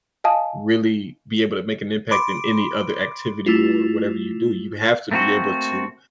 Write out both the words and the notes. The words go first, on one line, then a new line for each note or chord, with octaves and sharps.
really be able to make an impact in any other activity, or whatever you do, you have to be able to,
D#5 F5 G#5 A5 D#6
B5 C6 D6 D7
A3 E4 F4
A3 A#3 C4 F4 F#4